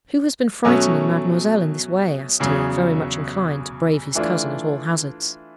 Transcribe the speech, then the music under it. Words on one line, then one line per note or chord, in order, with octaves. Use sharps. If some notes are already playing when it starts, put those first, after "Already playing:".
'Who has been frightening mademoiselle in this way?' asked he, very much inclined to brave his cousin at all hazards.
B2 F#3 A3 C#4
E2 C#3 F#3
E3 A3 D4 F4